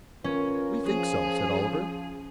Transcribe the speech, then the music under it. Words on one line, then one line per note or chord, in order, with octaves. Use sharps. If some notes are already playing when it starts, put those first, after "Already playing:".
"We think so," said Oliver.
C#4 F4 A#4 B4
F3 G#4